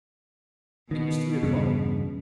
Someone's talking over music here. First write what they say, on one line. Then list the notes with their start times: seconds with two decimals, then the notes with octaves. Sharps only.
It was three o'clock.
0.91 B2 D#3
1.43 E2 G2 C#3